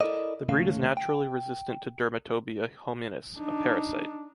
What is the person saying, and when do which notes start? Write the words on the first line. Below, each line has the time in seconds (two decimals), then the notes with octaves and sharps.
The breed is naturally resistant to Dermatobia-Hominis, a parasite.
0.01 E4 A4 A#4 D5 D#5
0.49 D#2 A2 C#3 A3 C#4 F5
0.97 G5
3.39 D4 D#4